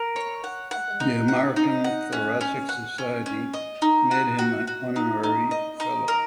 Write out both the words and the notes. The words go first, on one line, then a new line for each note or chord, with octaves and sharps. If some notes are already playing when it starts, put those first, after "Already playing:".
The American Thoracic Society made him an honorary fellow.
Already playing: A#4
C#5
F#5
F#5
D#4
F#5
D#4
F#5
C#4
C#4
F#5
C#4
C#4
D#5
D#4
F#4
F#4
F#4
D#4
D#4
D#5
D#4
A#4